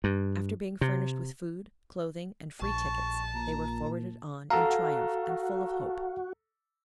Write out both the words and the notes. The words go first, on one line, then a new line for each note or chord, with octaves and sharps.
After being furnished with food, clothing, and free tickets, they were forwarded on in triumph and full of hope.
G2
C3
A#1 A5 C#6
A#2 A#5
F#4 A4 F5 F#5 A#5